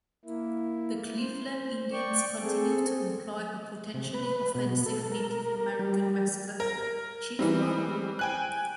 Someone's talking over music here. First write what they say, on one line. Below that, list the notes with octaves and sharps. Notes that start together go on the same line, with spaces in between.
The Cleveland Indians continue to employ a potentially offensive Native American mascot, Chief Wahoo.
A#3 E4
C5
D5 G5 C#6
C4 G#4 A4
C3
B4
B2
A4
A#4
G3
A#4
E3 G3 C4
G5 G#5 F#6